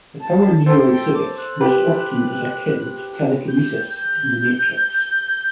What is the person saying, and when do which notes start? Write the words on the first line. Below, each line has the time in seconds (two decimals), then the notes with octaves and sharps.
The power Neo exhibits most often is akin to telekinesis in the Matrix.
0.20 A5
0.66 A4 C5 G5
0.90 G5
1.14 D6
1.38 F#6
1.61 G4 B4
3.48 G6
3.96 G6